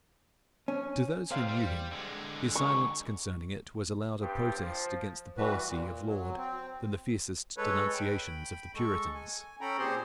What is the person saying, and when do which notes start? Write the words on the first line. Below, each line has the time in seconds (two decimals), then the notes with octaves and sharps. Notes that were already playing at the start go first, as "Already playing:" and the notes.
To those who knew him his silence concerning it was a louder protest against the policy of Laud than the fiercest denunciations of the puritans.
0.68 C#4
1.31 C3 C5 D5 F5
1.48 G3 C5
1.92 D3 G#3
2.56 C#6
4.20 G2 C4 G4
4.57 F3
5.37 E3 G3 F#4 B4
5.65 A#2
6.07 F#3
6.37 C4
7.57 G#3 A4 B4 C#5
7.94 G5 B5
8.75 G#3 A4 C#6
9.14 G#5
9.61 C#4 A4 G5 A#5 B5
9.79 A#2 C4 G4 G#4 C5 C6